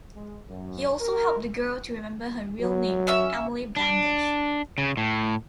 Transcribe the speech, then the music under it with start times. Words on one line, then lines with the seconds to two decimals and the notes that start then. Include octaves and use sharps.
He also helped the girl to remember her real name: Emily Blandish.
0.14 G#3
0.47 F#2
1.01 A#4
2.61 F#3
3.07 C#4 E5 E6
3.76 D4
4.78 C#3
4.97 A2